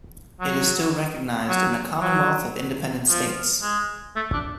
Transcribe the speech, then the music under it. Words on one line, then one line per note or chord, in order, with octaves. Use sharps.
It is still recognised in the Commonwealth of Independent States.
F#3
F#3
F#3
F3
G#3
A3
D4